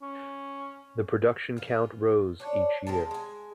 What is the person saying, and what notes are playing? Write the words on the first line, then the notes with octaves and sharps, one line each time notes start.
The production count rose each year.
C#4
E3 F4
D4 C#5
G#3 C4 A#4 A5
G#3 G#5